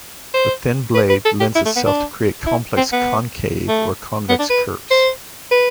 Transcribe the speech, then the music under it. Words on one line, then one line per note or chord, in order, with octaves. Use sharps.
The thin blade lends itself to create complex concave or convex curves.
C5
B4
B4
A4
G4
E4
A3
B3
D4
E4
C4
B3
A3
B3
D4
B4
C5
B4